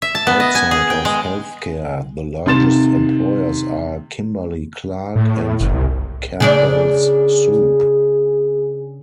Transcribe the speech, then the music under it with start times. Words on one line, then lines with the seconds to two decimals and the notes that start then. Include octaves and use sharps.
Outside of healthcare, the largest employers are Kimberly-Clark, and Campbell's Soup.
0.02 E5
0.15 A5
0.27 B3
0.40 D#5
0.55 G#5
0.71 G#4
0.90 G5
1.05 G#3
2.46 C3 D#3 C6 A6 E7
5.15 A2
5.60 F#1
5.74 C2
6.40 C#3 D4 G#4 D5